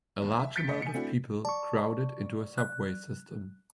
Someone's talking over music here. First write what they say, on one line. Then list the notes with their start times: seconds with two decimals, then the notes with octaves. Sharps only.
A large amount of people crowded into a subway system.
0.22 D#2
0.39 E5
0.56 G6 A6 B6 C#7 D7
0.67 A1 D#5
0.82 G#5 C#7
0.94 A3 C4 D4 E4 F#4
1.45 D5 A5 C#6
2.58 F#6